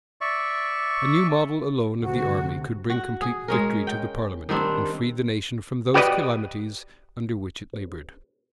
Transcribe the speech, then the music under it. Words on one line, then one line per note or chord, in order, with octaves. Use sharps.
A new model alone of the army could bring complete victory to the parliament, and free the nation from those calamities under which it labored.
D5 E5 C#6
D2 C3 F#4
F#4
G#4
G#3 C#4 A#4
G5
D#3 G3 C4 D4
F#4 G4 B4 D5 D#5